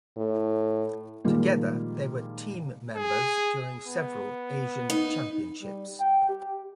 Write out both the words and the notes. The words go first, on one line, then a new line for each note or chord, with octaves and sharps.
Together they were team members during several Asian Championships.
A2
A#2 D#3 F3 G3 G#3 A#3
G#4
B3
D#4
G3
G5
G4